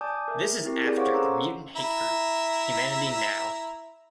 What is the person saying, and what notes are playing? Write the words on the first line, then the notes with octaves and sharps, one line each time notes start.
This is after the mutant-hate group Humanity Now!
D5 G#5 A5 D6 D#6 G6
A#4 E5
C4 E4 G4 A#4
G#4 A#4 B4 D5 G5
C5 C#5 F5 F#5 C#6 D6
C#4 A4 A#5 C6 E6
E4 E5 A#5